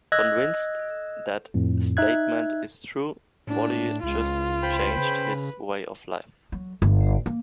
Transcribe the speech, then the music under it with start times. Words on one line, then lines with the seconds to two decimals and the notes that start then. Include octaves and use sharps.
Convinced that statement is true, Wally just changed his way of life.
0.12 D#5 E6 F#6 G#6 A#6
1.54 F2 A2
1.97 D#4 E5 F#6 G#6
3.47 A2 D4
4.04 C#2 F4
4.62 C5 G5 B5
4.98 C#3 B4
6.52 F#3
6.82 G1
7.26 A#3